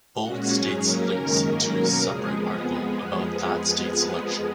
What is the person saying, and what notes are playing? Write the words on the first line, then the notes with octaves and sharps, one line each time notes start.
Bold states links to a separate article about that state's election.
A#2 G#3 C#4 F#4
G#2 F#3 C#4 G#4
C#3 F#3 A#3 C#4 A#4
F#2 D#3 G#3 C#4
G#2 D#3 F#3 A#3 C#4 A#4
B2 F#3 A#3 C#4
F2 C#3 F3 G#3 G#4
F2 F3 G#3 B3 G#4